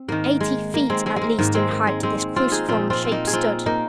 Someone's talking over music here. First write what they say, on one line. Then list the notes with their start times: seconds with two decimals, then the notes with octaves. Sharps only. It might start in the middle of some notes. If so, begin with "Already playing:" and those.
Eighty feet at least in height, this cruciform shape stood.
Already playing: C4
0.08 G#2 D#3 A#3
0.41 G#3
0.74 A#3
0.90 G#3 C4
1.06 G#3 C4
1.16 G#3
1.22 A#3
1.39 G#2 D#3 A#3
1.55 G#3 C4
1.71 A#3
1.87 G#3
2.03 G#3 C4
2.36 C4 F4
2.52 D#4 G#4
2.68 A#2 F3 C4 F4
2.90 C4 F4
3.05 C4
3.12 A#3 D#4
3.27 G#4
3.33 C4 F4
3.66 A#3 D#4